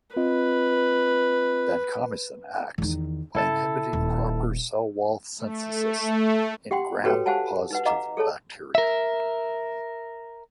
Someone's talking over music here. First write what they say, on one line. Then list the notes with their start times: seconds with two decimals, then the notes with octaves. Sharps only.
Vancomycin acts by inhibiting proper cell wall synthesis in Gram-positive bacteria.
0.17 C4 F4 B4 D#5
2.78 E2 D#3
3.35 C#3 E4 A4 A5
3.93 D#1
5.38 A3
6.71 G4 F#5 G5 C6
7.04 F#4 G4 A4 B4 C#5 G5
7.26 G4 C5 F5 F#5 G#5 A5
7.71 D#4 B4 F#5
7.85 D#5 F5 F#5 A#5 D6
8.17 G#4 A4 C#5 A5
8.75 A#4 E5